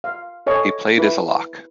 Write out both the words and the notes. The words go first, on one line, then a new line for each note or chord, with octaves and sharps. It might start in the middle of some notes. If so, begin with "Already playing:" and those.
He played as a lock.
F5
A4 C#5 D#5 G#5
E4 B4 E5